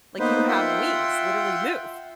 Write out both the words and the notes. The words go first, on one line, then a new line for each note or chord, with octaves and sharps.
Like, "You have wings, literally move."
A#3 B3 D#4 B4 C5
F4 E5 F#5 G5 C6